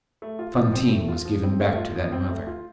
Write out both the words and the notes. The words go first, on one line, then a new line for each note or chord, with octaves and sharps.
Fantine was given back to that mother.
A3
F4
F3
C4
A3
F4
F3
C4
A3
F4
F3
C4
A3
F4